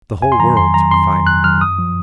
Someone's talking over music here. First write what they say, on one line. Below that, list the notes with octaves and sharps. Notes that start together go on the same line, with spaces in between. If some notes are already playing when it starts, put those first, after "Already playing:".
The whole world took fire.
F2 G#5
C6
D#3 F#3 A#5
F2 C6
D#3 F#3 A#5
F2 C6
D#3 F#3
F2 F#6
D#3 F#3 F6
F#2 D#6
F3